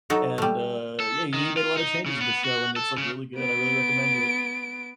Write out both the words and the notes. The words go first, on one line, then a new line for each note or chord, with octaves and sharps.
And, uh, yeah, he made a lot of changes in the show, and it's like really good. I really recommend it.
F#3 D#4 A4
G3 A3
A4
D#3
F4
D#4
C#3
B3
F#4
A4
C#3
B3 D7